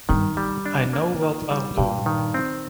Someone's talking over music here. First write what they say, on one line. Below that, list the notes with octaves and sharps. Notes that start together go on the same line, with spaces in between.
I know what I'll do.
G2 D#3
G3
D4
A#3
D#3
G3
G2 A#2
D#3
C4